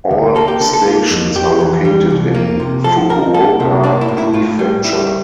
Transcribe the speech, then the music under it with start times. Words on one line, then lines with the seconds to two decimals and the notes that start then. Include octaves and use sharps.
All stations are located in Fukuoka Prefecture.
0.11 D2
0.36 A#3 A4
0.48 G4
0.60 D3 A4
0.73 A4
0.86 A#3 F4
1.10 F2
1.35 F2 G4
1.61 E3
1.85 G3
2.10 C2
2.35 A#3
2.60 C3
2.84 F3 A4
3.09 D2 A#4
3.34 A#3 A4
3.60 C3
3.84 A#3 D4
4.01 E4
4.08 A2
4.18 E4
4.34 A2 F4
4.59 G3
4.84 G3 E4